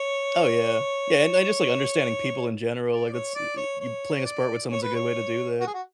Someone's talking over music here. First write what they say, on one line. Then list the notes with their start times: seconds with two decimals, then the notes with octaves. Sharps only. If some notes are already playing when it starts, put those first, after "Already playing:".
Oh yeah yeah, and I just like understanding people in general, like that's, eh eh, you playing a sport with someone, is a good way to do that.
Already playing: C#5
2.90 D5
3.13 C#5
3.35 D5
3.57 C#5
3.80 C#5
4.25 D5
4.70 C#5
4.82 B4
4.94 C#5
5.60 F#4
5.67 G#4
5.74 F#4